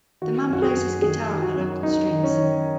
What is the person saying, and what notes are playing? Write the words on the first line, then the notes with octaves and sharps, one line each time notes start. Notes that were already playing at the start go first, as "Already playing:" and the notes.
The man plays his guitar on the local streets.
D#3 F#4
F#2 F#4
G#4
F#2
D#3 G#4
D#3
F#4
F#2
F#2 D#4
D#3
C#4
D#3